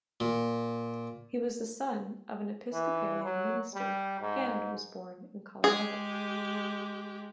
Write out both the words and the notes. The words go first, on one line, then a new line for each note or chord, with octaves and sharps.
He was the son of an Episcopalian minister, and was born in Colorado.
A#2
E3
F#3
G3
G#2
G#3 G4 G#4